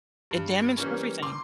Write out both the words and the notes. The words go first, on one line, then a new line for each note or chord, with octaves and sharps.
it damaged everything.
G2
E3 G3 A#3 C#4
C6 D6